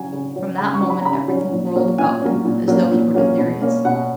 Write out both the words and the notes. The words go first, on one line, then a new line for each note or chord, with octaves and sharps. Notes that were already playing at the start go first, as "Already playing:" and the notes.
From that moment everything whirled about him, as though he were delirious.
Already playing: C#3 F#3 C#4 G#5
C#3
F#3 C#4
C#3 B5
C#6
F#3 C#4
B5
A#5
C#3 B5
F#3 C#4
A#2
F#3 A#3 C#4
A#2 G#5
F#3 A#3 C#4
A#2
F#3 A#3 C#4
A#2
F#3 A#3 C#4
B2
A#3 C#4
B2 F#5